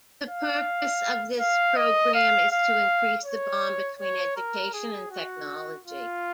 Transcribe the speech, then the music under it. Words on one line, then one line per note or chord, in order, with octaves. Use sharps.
The purpose of this program is to increase the bond between education and technology.
F5
F5
D#5
F5
F5
C#5
C#5
A#4
G#4
F#4
F4